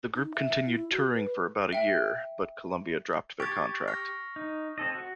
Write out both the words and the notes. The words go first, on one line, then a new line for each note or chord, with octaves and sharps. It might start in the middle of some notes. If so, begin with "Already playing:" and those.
The group continued touring for about a year, but Columbia dropped their contract.
D#4
E5
E4
F#4
B4
E5 G5
G4 C#6 G#6 A6
C#6 F6 A#6
D#4
C4 A4 D#5
F#4